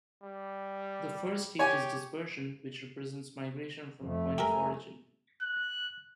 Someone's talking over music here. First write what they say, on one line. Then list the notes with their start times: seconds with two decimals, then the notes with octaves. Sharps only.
The first stage is Dispersion, which represents migration from a point of origin.
0.23 G3
1.59 G4 C#5 G#5
4.03 F2 A3
4.38 G4 A4 A#4 G#5 A#5
5.41 F#6